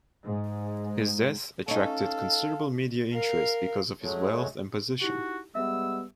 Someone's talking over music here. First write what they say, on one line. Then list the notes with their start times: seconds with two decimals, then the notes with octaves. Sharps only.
His death attracted considerable media interest because of his wealth and position.
0.24 G#2
1.68 C#4 D#4 A4 F5
3.12 A#4 F5
4.02 F#3 G#3 A3
5.01 D#4 E4 F#4 G4
5.55 G3 G#3 B3 E5 E6